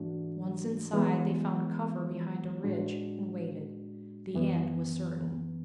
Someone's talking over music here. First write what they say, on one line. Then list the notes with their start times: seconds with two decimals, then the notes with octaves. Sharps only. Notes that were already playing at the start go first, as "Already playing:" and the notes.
Once inside, they found cover behind a ridge and waited. The end was certain.
Already playing: G#2 E3 A3 D4 F#4
0.93 E3 G#3 B3 E4
2.63 A2 G#3 D4 F#4
4.34 F#2 E3 B3